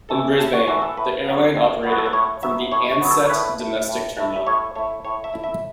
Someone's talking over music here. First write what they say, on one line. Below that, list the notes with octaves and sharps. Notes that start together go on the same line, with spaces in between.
In Brisbane, the airline operated from the Ansett Domestic terminal.
E3 A3 A4
A2 A4
F#4
E3 A3 F#4
A4
A2 B4
F#3 B3
A2
F#3 B3
F#4
A4
B4
A2 C#5
F#3 B3 E5
A2 C#5
C#5
F#3 B3
A4
C#5
A2 B4
A3 E4
A2
A3 E4
E5
A2 C#5
A3 E4 C#5
A2 C#5
E5
A3 E4
E5